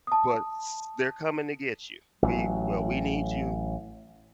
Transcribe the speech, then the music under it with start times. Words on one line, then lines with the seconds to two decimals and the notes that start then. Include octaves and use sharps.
but s they're coming to get you, "We well, we need you
0.07 A5 D#6
2.22 A1 F#3